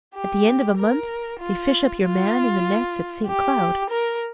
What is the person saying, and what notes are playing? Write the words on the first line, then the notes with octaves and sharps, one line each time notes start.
At the end of a month they fish up your man in the nets at Saint-Cloud.
G4
A#4
F4
F4
G4
A#4